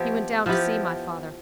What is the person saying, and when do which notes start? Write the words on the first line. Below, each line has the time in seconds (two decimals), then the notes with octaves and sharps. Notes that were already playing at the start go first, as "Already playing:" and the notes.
He went down to see my father.
Already playing: F3 B3 E4 G4
0.46 F3 B3 E4 G4